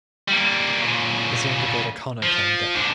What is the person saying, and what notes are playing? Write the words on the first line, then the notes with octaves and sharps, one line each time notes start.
His younger brother, Conor, claimed it.
G3 A#3
A#2 C#3
F3
G#2 D4